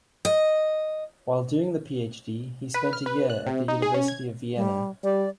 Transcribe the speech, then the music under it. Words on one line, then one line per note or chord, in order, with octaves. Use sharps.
While doing the Ph.D., he spent a year at the University of Vienna.
D#5
B4
F6
B4
F#6
C3
D#4
G#4
C#4
G#6
G3
G3 D5